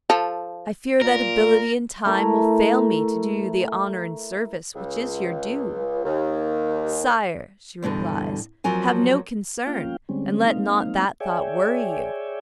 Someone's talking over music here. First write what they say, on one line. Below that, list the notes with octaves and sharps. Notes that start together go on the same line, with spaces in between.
I fear that ability and time will fail me to do you the honour and service which is your due." "Sire," she replies, "have no concern, and let not that thought worry you!
F3 A4
A#2 A#4
A3 E4 A#4
C#2
D#2
E2 G2 B2 D3
F2 F3 F#3 A#4 G#5
A#3 C#4 F4 F5 G5
D3 G3 G#3 C4 C#4
G#3 A#3 C4 D#4 F5
G#4 C#5 D5 E5 G5 G#5